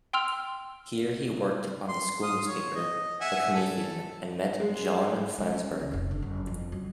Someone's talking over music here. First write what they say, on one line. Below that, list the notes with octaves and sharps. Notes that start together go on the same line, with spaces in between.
Here, he worked on the school newspaper, the "Promethean", and met John Flansburgh.
G5 C6 E6 F6 F7
C6
F5 C6 D#6
C#5
D#5
E5 F#5 G#5
A4
G#3
G#3
C#4
C#2
F1
D3
F#1
F2
F#3